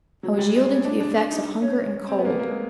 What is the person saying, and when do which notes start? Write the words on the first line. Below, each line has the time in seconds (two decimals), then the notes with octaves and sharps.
I was yielding to the effects of hunger and cold.
0.23 F#3
0.34 G#3
0.38 G3
0.55 G#3
0.69 C#4
0.85 D4
1.00 D4
1.16 D4
1.31 D#4
1.62 C#4
2.09 C4
2.18 B3
2.25 A#3
2.30 B3
2.39 A#3
2.48 G#3